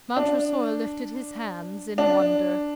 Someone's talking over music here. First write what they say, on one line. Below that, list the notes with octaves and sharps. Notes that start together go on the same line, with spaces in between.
Montresor lifted his hands in wonder.
D4
D4